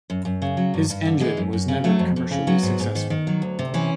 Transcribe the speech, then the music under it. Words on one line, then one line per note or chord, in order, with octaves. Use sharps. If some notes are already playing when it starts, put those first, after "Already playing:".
His engine was never commercially successful.
F#2
F#2
C#3
F#3
G2
G2
D3
E3 G#3
F#2
F#2
C#3
F#3 A3
F2
F2
C#3
F#3 B3
G#2
G#2
D#3
D#3
F#3
D2
C3
E3 C#4